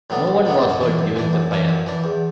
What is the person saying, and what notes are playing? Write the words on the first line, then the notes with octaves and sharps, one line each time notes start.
No one was hurt during the fire.
A2 F#3 B3 D4
B1
A2 F#3 B3 D4
F#2
E3 D4
F#2
E3 D4
F#2
E3 D4
F#2
E3 D4
E2